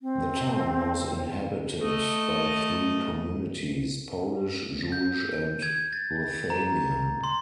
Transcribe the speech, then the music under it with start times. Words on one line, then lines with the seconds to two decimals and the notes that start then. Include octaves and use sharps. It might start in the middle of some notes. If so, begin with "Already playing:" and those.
The town was inhabited by three communities - Polish, Jewish and Ruthenian.
0.01 C4
1.81 A3 D#5
4.92 G6
5.62 G#6
5.93 A6
6.50 A#5
7.24 C6